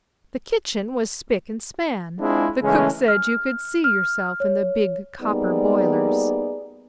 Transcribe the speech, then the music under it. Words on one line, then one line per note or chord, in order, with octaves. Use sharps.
The kitchen was spick and span: the cook said you could see yourself in the big copper boilers.
G#3 C4 D4 E4 F4 G#4
C#3 E3 G#3 A3 C#4
F6
F6
C#5
G3 A#3 B3 D#4 G#4 D5